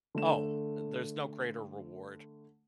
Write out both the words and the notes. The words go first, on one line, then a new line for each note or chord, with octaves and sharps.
Oh, there's no greater reward.
D3 A3 E7